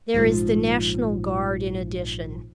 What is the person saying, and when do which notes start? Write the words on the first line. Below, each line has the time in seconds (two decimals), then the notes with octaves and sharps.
There is the National Guard in addition.
0.14 A#1 G#2 D#3 F3